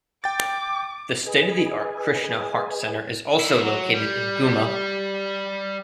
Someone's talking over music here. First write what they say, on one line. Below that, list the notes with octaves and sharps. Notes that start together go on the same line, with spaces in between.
The state-of-the-art Krishna Heart Center is also located in Ghuma.
G5 D6 A6
G#4 B4 D#5 G#5
D#3 E4
F#3
G3